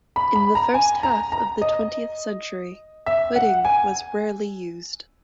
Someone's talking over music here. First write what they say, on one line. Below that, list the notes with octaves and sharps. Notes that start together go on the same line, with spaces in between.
In the first half of the twentieth century, hooding was rarely used.
B5
B5
A#5
G#5
A#5
A#5
D#5
E5
F#5
G#5